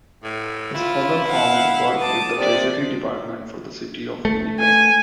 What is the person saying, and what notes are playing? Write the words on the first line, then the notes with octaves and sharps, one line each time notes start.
His father found work with the treasury department for the city of Winnipeg.
A2
E4 F4
F5 F#5
A5 D6 D#6
C3 D5
A3
G#5